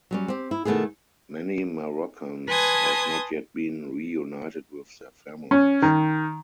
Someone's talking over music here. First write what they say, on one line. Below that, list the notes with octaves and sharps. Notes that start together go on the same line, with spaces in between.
Many Moroccans have not yet been reunited with their families.
F#3 G3 C#4
C4 G4
E4
B2 D#3 A3 B3 E4 G#4
B4 G#5 A5 C6 D#6 G#6
C#4
D#3